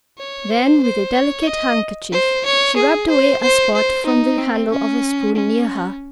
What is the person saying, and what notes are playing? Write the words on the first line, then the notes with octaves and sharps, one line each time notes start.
Then with a delicate handkerchief she rubbed away a spot from the handle of a spoon near her.
C#5
C5
C5
C#5
D#5
C5
C#5
G#4
C5
C5
C5
D#4
C4
C#4
C#4